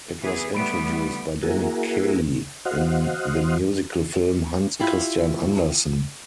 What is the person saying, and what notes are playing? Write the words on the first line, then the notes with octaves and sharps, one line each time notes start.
It was introduced by Danny Kaye in the musical film "Hans Christian Andersen".
E3 B3 G#4
G3 A3 B3 B5 D7
A#3 E4 F#4 G#4 A#4
F#4 C5 D#5 F5 F#5
E4 F4 G4